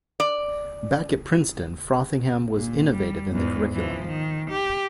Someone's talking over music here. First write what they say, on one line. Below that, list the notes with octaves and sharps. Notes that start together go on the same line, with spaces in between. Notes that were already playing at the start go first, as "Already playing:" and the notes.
Back at Princeton, Frothingham was innovative in the curriculum.
D5
A#2
G3
E2 G#2
E3 F3
D#3
G4